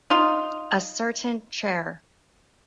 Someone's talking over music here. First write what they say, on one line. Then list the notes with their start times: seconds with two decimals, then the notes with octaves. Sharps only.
A certain Chr.
0.10 D#4 F4